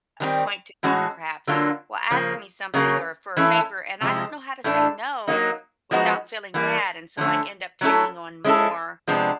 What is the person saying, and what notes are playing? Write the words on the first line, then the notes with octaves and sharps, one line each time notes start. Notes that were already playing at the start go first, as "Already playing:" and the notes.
acquaintances perhaps will ask me something, or for a favor and I don't know how to say no without feeling bad, and so I end up taking on more
D#3 G3 C4
A2 E3 G#3 C#4 F#4
D3 F#3 A#3 D4 F4
C#3 F3 A#3
C#3 F#3 A#3 C#4
E3 A3 C#4 E4 A4
C3 F3 G#3
A2 E3 A3 D4
F#3 A#3 D#4
F3 G#3 B3 D#4 F#4
E3 G3 A#3
D3 F3 A3 C#4
F#3 A3 C#4 E4 A4
G#3 C#4 E4 A4
C3 F3 G#3 B3 D4